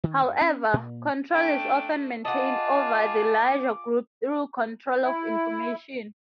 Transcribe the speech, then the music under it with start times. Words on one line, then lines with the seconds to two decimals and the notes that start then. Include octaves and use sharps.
However, control is often maintained over the larger group through control of information.
0.04 D#3
0.22 G2
0.41 C#4
0.73 A#2
1.31 A3 D4 G5
2.25 F4 G#4 D#5 F#5 A5 D6
5.02 E4